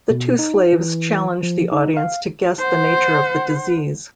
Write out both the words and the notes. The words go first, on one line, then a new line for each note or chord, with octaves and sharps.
The two slaves challenge the audience to guess the nature of the disease.
B2
D#4
E3
F3
D#4
F5
C5 F#5